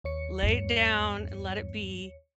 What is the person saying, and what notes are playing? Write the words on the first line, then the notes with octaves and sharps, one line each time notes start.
lay it down and let it be,
D#2 C#5 C#7
E2 G2